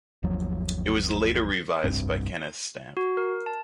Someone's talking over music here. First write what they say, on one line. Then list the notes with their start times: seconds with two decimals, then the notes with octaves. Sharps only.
It was later revised by Kenneth Stamp.
0.23 G1 D#2 F3 F#3
1.84 F1 C2 G2 C4
2.97 F#4
3.17 A#4
3.46 A5